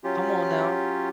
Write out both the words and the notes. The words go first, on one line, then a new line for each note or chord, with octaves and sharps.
Come on, now.
F#3 C#4 F4 G4